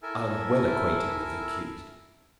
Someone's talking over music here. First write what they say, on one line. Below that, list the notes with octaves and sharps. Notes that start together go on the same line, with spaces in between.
I am well acquainted with the accused.
E4 A4 A#4 E5 G#5